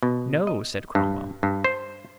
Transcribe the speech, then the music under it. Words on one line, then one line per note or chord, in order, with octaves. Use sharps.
"No," said Cromwell.
B2
D#5
G2
G2
C5